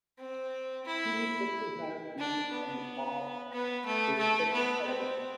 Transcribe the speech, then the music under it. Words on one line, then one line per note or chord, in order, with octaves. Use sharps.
He is said to have been on a par with Tex Avery.
C4
E4
D4
B3
B3
A3
A3
B3
C4